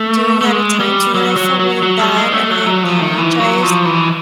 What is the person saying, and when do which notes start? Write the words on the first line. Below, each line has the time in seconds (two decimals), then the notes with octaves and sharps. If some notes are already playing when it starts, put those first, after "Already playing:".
doing that at times, and then I feel really bad, and I apologize.
Already playing: A3
0.41 A3
0.46 G#3
0.80 G3
1.15 F#3
1.36 F#3
1.60 F#3
1.82 F#3
1.99 G3
2.16 G#3
2.32 A3
2.50 F#3
2.67 F#3
2.84 F3
3.01 D#3
3.18 E3
3.40 F#3
3.63 F3
3.85 E3